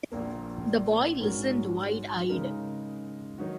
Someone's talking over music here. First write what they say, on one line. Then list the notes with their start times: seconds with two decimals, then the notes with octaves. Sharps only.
The boy listened wide-eyed.
0.12 A#1 A#2 A#3
1.20 G#2 G#3 C#4 F#4 A#4
2.29 C#3 G#3 D#4 A#4
3.38 D#3 F#3 D#4 F#4